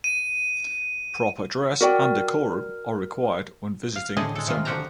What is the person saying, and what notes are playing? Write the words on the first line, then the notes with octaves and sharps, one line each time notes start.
Proper dress and decorum are required when visiting the temple.
D#7
F#4 A#4 D5 G5
F5
A2 D3 G#4 D#5 A5
G#3 A4
C3 D#3 G#3 F4
D3 F3 F#4 G4 A5 A#5